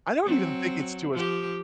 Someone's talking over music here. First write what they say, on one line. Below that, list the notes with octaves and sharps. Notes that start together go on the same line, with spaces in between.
I don't even think it's to us
F#3 C4
F3 G4